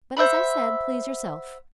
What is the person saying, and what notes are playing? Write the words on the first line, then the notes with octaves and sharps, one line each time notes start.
But as I said, please yourself.
C5 E5 F#5 B5